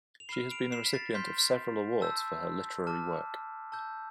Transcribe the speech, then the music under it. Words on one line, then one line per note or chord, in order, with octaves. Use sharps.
She has been the recipient of several awards for her literary work.
F7
B5 F6 C7 E7
D7 F7
C7 E7
B6
A6 C7
C6 F6 G6 B6
A5 E6 G6
A5 D6 F6
A5 E6 G6